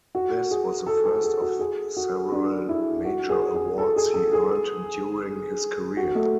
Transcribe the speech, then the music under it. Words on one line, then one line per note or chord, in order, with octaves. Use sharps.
This was the first of several major awards he earned during his career.
F#4
G#4
A4
A4
G#4
F#4
G#4
F#4
D4
E4
F#4
G#4
G#4
A4
G#4
A4
G#4
F#4
A3